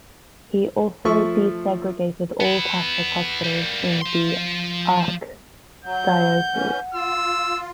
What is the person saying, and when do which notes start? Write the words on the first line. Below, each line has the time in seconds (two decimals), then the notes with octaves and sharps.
He also desegregated all Catholic hospitals in the archdiocese.
1.05 F3 A3 E5 C#6
2.41 B3 E4
3.44 G3 A#3
4.02 F3 C6
5.85 F#3 F#5 G6
6.53 E3 C#4
6.94 F4 E6